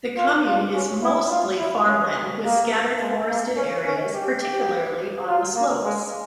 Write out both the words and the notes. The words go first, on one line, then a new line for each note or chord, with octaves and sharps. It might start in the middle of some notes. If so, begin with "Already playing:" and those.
The commune is mostly farmland with scattered forested areas particularly on the slopes.
F4
F4
C#4
E4
F4
E4
C#4
A#3
G#3
A#3
C#4
C#4
G4
G4
F4
A#3
G#3